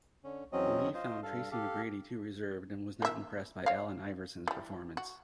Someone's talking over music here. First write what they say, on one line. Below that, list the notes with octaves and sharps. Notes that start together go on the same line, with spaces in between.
Lee found Tracy McGrady too reserved and was not impressed by Allen Iverson's performance.
D3 C#4
E2 F#3 C4 C#4 D#5
F4 C5 D#5
G2 A4 F5
G4 A4 F5
A#3 E5
C#5 F5
E3 G3
F#4